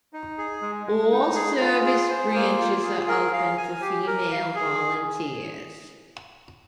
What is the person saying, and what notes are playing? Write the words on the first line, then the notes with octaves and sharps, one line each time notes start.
All service branches are open for female volunteers.
D#4
G#4
G#3
G#3
D#4
G#4
F4
G#4
C5
A#3
F4
G#4
A#4
F5
G#5
G4
A#4
F5
G#4